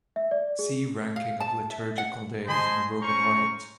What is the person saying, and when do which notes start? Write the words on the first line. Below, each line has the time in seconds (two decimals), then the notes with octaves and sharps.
See Ranking of liturgical days in the Roman Rite.
0.16 E5
0.31 D5
0.59 G#4
1.16 F5
1.40 A5
1.70 E5
1.98 F#5
2.47 C5 D#5 G#5 A5 B5 C6
3.01 C#4 C5 A#5 C#6